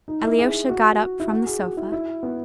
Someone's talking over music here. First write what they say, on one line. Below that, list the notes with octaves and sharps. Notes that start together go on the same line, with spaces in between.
Alyosha got up from the sofa.
D#4
E4
G#4
F#4
E4
F#4
G#4
F#4
E4
E4
B3